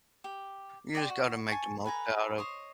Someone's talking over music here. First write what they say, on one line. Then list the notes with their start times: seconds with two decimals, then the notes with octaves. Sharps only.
you just gotta make the most out of
0.24 G4
0.95 D5 G5 C6
1.10 F#4
1.48 G#5 A5 C#6
1.84 A4 B4 G#5 A#5
2.38 C5 C#5 D#5 C6